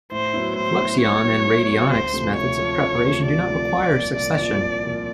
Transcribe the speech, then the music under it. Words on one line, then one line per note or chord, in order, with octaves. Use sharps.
Fluxion and radionics methods of preparation do not require succussion.
A2 C5
F#3 B3 E4
A2 C5
F#3 B3 E4
A2 C#5
F#3 B3 E4
A2
F#3 B3 E4
D2 C5
C3 F3 A3
D2 C#5
C3 F3 A3
D2
C3 F3 A3
D2 D5
C3 F3 A3
C2
A#2 F3
C2 D5
A#2 F3
C2
A#2 F3